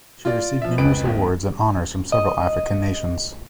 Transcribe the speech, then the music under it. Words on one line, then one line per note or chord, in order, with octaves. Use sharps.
She received numerous awards and honours from several African nations.
F4 D5
F3 E5
F1 C#2 B4 D7
G#1 D#2
D#5